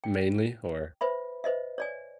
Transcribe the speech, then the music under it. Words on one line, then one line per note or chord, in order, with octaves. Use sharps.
mainly or
G5
B4 C5 E5 B5
B4 C5 D#5 E5
C#5 D5 G#5